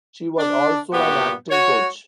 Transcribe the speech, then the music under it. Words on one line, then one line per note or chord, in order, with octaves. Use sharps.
She was also an acting coach.
D4
G2 A#2 B3 F#4 G4
F#4 C#5